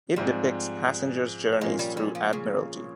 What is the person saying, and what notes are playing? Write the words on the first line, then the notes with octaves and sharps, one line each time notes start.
It depicts passengers' journeys through Admiralty.
G#2 F3 G3 G#3 C4
A#2 F3 G#3 A#3 C#4 F4
G3
G3
F3
C#3